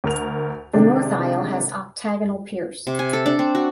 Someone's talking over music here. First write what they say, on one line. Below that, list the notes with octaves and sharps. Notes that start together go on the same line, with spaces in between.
The north aisle has octagonal piers.
D2 A#4 F7
C3 D#3 G#3 D4
C3
G#5
A4
D4
C4
F#4